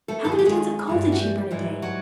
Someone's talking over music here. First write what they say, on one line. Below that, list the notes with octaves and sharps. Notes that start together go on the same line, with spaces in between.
How many tons of coal did she burn a day?
A3 A4
D#2 D#3 F#3 A4
G#4
G4
G#3 G#4
G2 E3 G3
F#4
G3 G4
G#2 E3 G3
F#3 F#4